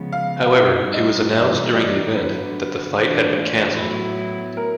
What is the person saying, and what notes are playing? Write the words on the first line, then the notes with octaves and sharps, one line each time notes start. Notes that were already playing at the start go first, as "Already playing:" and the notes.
However, it was announced during the event that the fight had been cancelled.
Already playing: C#3 F3 G#3 B3
F5
F5
B2 G3 A#3 D#4 E5
D#5
G2 E3 G3 A#3 D#4 E5
D5
D3 F#3 B3 B4
E3 A3 D4 F4
A2 F#3 B3 E4
A#4